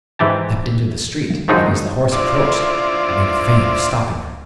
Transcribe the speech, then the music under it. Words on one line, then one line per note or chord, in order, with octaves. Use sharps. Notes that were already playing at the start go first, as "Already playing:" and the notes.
I stepped into the street, and as the horse approached I made a feint of stopping him.
G#2 E3 G4 A5
D#3 F3 F#3 G#3 D4 D#4
D4 E4 F4 C5 D5